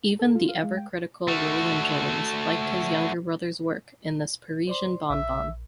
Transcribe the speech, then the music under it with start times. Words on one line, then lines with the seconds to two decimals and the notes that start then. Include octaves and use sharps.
Even the ever-critical William James liked his younger brother's work in this Parisian bonbon.
0.19 A4
0.35 F4
0.49 F5
0.63 G#3
0.77 G5
1.28 A3 F#4
4.67 C5 D5 C6
5.10 A#1 E5